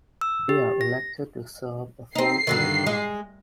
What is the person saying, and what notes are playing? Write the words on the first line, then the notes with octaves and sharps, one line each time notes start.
They are elected to serve a four-year term.
E6
G4
A#6
C4 D#4 C7
G2 D3 D#3
G#3